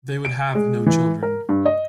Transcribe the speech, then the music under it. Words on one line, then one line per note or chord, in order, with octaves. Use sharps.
They would have no children.
D7
G#3
E3
A#4
G2
D#5